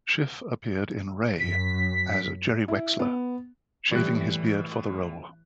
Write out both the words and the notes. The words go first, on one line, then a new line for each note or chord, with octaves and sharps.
Schiff appeared in "Ray" as Jerry Wexler, shaving his beard for the role.
F#2 B6
E4
B3
A2 E3 G3 F#6